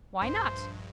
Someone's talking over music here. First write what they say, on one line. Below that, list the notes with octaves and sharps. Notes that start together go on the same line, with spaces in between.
"Why not?"
A#1 G2 C5